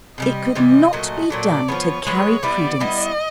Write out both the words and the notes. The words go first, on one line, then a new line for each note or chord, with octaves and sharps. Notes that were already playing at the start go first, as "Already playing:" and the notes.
It could not be done to carry credence.
C3 E3 G3 D#5
C3 E3 G3
A#2 F#3 A3
A#2 F#3 A3 D5
F3 G#3 B3 C#5
F3 G#3 B3 C#5
G3 B3 E4 D5
G3 B3 E4 D#5